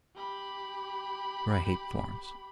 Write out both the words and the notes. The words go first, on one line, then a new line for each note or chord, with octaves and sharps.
For I hate Florence.
G4 B5